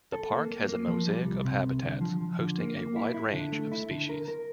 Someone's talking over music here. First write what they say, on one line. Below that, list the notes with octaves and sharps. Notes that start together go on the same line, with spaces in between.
The Park has a mosaic of habitats, hosting a wide range of species.
A4
A#3
A#3
A#3
F3
G3
C2
C3
C2
D3
F3
F3
D3
A#3
A#3
E4
E4
D3
A3
E4
D3
A#4
A#4